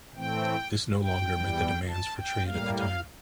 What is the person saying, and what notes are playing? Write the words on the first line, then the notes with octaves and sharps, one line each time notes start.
This no longer met the demands for trade at the time.
A2 E3 A3 C4 G5
G5
E2 E3 G3
A5
G5
A2 G3 A#3 F5
F5